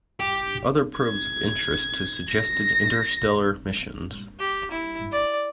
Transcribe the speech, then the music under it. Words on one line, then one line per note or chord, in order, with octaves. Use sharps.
Other probes of interest to suggested interstellar missions.
G4
G#6
A#6
G4
E4
D5